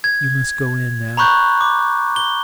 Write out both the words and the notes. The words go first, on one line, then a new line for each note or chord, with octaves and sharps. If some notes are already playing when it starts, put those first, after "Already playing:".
"You must go in now!"
G#6
A#5 B5 C#6 F#6 G6
D6
G7